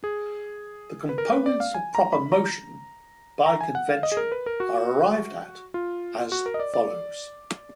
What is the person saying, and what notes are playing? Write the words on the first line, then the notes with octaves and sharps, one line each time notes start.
The components of proper motion by convention are arrived at as follows.
G#4
B4
A#4
B4
D5
F5
G#5
A#5
B5
A#5
A#5
G#5
F#5
F5
D#5
G#4
A#4
B4
A#4
F#4
F4
F#4
A#4
D#5
D5
D5